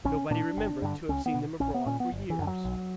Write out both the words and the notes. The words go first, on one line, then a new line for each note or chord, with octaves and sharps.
Nobody remembered to have seen them abroad for years.
A#1 C#4
A#2 D4
G1
G2 D3
C#2 C#4
B3
B2
A#1 C#4
B3
A#2 C#4
B3
G1
E3
F#2 D3
F#3
B1